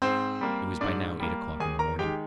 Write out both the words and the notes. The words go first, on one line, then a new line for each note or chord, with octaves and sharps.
It was by now eight o'clock in the morning.
G#2 C4 C5
G3 A#3
G#2 D4 D5
G3 A#3
D#2 G#4 G#5
A#4 A#5
D#3 G#3 G4 G5